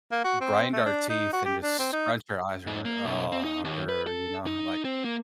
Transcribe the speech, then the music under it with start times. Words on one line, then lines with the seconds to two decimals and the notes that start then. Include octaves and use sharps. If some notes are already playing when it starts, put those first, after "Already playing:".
grind our teeth and just scratch your eyes or there, ah, grrr, you know, like,
0.11 A#3
0.24 F#4
0.41 C4
0.72 A3
0.85 D4
1.09 D#4
1.32 F#4
1.45 G4
1.63 D4
1.79 C4
1.92 D#4
2.67 G#2
2.85 A#3
3.05 B1
3.32 C4
3.44 D#4
3.64 D#2
3.89 B4
4.07 A4
4.46 D#4
4.85 C4
5.04 A#3